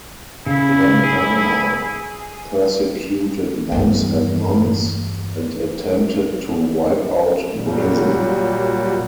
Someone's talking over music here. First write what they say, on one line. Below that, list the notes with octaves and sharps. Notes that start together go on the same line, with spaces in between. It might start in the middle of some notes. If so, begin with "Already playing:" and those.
Langdarma persecuted monks and nuns, and attempted to wipe out Buddhism.
C#3 E4
G#4
E2 G2
A#2 F#3 G3